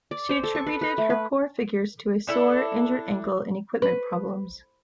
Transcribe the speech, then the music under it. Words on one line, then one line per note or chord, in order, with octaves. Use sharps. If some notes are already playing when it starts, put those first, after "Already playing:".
She attributed her poor figures to a sore, injured ankle and equipment problems.
D5
C5
A4
C#6
B4
B4
A3
B4
D4 E4 A4
B4